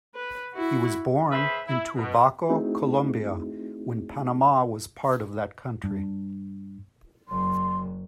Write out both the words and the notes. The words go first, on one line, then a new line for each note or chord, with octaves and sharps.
He was born in Turbaco, Colombia, when Panama was part of that country.
B4
E4 F#4
G#4 B4 C5 E5
E4
B2
A3 C4 D#4 E4 F#4 G#4
G2
F#1 F#3 C6